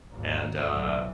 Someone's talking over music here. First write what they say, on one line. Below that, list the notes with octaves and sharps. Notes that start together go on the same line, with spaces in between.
and, uh
G#1 D#2
B1 E3